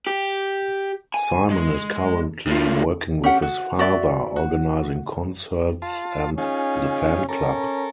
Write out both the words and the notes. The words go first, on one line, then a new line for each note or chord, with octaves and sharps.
Simon is currently working with his father, organising concerts and the fan club.
G4
G#5
G#3
A2 F4
C#4 G4 F#5
F#4
F#4 D5 E5
F#4
F4 A5 C6
C#4 D#4 F4 G#4
C#4 A4 A#4